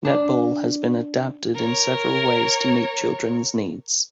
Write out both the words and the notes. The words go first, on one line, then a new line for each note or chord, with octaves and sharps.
Netball has been adapted in several ways to meet children's needs.
D4
A#4 C#5